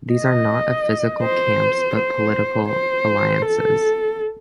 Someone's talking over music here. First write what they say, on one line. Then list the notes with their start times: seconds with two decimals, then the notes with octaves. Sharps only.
These are not a physical camps but political alliances.
0.12 D#5
1.22 C5
1.96 C5
2.69 C5
3.42 A4